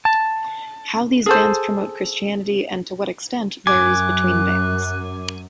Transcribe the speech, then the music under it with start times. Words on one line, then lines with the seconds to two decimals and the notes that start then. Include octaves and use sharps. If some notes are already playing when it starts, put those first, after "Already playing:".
How these bands promote Christianity, and to what extent, varies between bands.
0.05 A5
1.26 G#4 A4 C5
3.67 F#2 G#5 D6 F#6